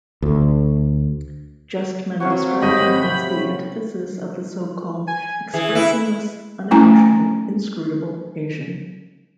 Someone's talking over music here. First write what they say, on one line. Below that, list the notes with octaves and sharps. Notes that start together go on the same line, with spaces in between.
Justman described him as the antithesis of the so-called expressionless-unemotional-inscrutable Asian.
D2
F#3 C4 F#4 C#5 F5
G#1 G4 D#5 B5
C3 G6
G#5
E3 G#4
E4 B4
A3 C#4 E4 G#5 A#5